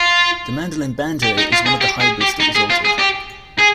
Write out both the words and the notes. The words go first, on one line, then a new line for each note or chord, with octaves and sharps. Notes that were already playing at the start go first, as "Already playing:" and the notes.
The mandolin-banjo is one of the hybrids that resulted.
Already playing: F4
G4
D#4
F4
G#4
G4
G#4
G4
D#4
G#4
F4
G#4
G4
G#4